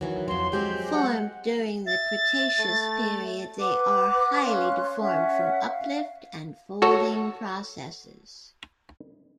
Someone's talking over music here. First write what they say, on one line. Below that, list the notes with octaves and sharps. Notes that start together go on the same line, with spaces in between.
Formed during the Cretaceous Period, they are highly deformed from uplift and folding processes.
D#3 E3 F#3
F2 F#3 C6
F#3 G#3 C4 G4
F#5
E5 A6
A3
B4 F#5 D6 F#6
C#4 F5 C6 F#6
C#4 E5 F#5
F5
F#4 A4 C#5